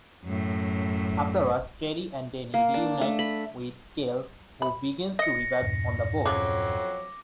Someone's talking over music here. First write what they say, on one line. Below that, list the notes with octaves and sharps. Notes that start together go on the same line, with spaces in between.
Afterwards, Terri and Danny reunite with Cale, who begins to revive on the boat.
F#2 A2
A#3
D4
A3
B5
B5
D#5 A#6 C#7
E2 G2 A#2
F2 C#3 F#3 D4 D6